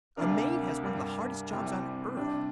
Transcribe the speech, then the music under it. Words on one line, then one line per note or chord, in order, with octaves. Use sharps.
A maid has one of the hardest jobs on earth.
D2 C3 A#3 D4 A#4
G2 G3 A#3
C2 C3 G3 C4
C3 G3 D4